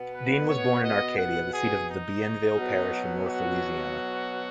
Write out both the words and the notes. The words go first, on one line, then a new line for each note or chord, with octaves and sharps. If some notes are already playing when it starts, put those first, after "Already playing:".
Dean was born in Arcadia, the seat of Bienville Parish in north Louisiana.
Already playing: B2 B3
B4
C#5
D#5
F#5
G#4
D#4
B2 F#3 B3
F#4